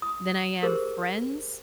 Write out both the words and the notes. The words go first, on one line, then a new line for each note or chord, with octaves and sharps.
than I am friends
D#6
G4 G#4 A#4 C5